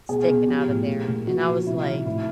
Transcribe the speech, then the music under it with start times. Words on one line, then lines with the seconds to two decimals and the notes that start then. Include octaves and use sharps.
sticking out of there. And I was like
0.09 B2 G#4
0.29 B2
0.48 F3 G4
0.68 A2
0.88 A#2
1.08 A#2
1.27 F3 F#4
1.47 F3
1.66 C3 E4
1.86 D#3
2.06 A2 E4